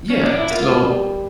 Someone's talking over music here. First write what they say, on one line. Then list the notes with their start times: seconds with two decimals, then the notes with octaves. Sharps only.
Yeah, so
0.10 C#4
0.24 D4
0.37 E4
0.50 A#3 F4
0.83 G3